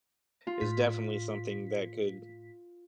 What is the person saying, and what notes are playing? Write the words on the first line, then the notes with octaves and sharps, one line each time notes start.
is definitely something that could,
F4
A2 B6